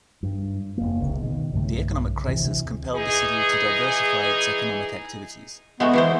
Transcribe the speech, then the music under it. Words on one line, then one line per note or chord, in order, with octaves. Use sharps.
The economic crisis compelled the city to diversify its economic activities.
G2
F1 A#3
C#2 C3
B2 D#3
B1 G2 C#3 A3
D2 C3 E3
E3 D#4 G#4
G#3 A3 B3 F#4
E3 G#3 C5